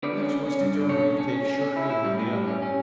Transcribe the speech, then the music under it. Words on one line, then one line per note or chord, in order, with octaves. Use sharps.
Each was determined to take sure aim on the other.
D3 B4 D5
C#4
C#4
C#4
G2
D3
C#4 A4 C#5
C#4
C#4
C#4
C#4
C#4
E4
E4
G3
A2
G3
C#4
C#4